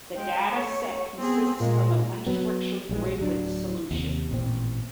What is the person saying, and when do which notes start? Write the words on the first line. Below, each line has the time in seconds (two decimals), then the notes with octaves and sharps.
The dataset consists of an unstructured grid with solution.
0.15 G#3 G5
0.51 A3 C#5
1.17 B3 C4 G#4
1.60 A#2 G#3 F4
2.27 F#3 B3
2.89 A#1 G3 G#3
3.19 D1 F#3 D4
3.91 D#2 C3
4.29 A1 A#2 C4